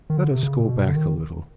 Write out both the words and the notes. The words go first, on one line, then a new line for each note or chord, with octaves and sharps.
Let us go back a little.
D#3
D3
C3
C#3
A#2
B2
D3
D#3